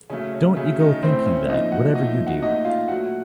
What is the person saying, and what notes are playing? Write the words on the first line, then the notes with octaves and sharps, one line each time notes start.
Don't you go thinking that, whatever you do.
C#3 F#3 A3 C#4
C#4
C#3 F#3 A3 C#4
D#3 D#4
A2 A3 C4 C5
C#4 C#5
A#2 F3 A3 D#4 D#5
F#4 F#5
A#2 F3 A3 D#4 D#5
F#4 F#5
A#2 A3 D#4 D#5
F4 F5
A#2 F#3 A3 F#4 F#5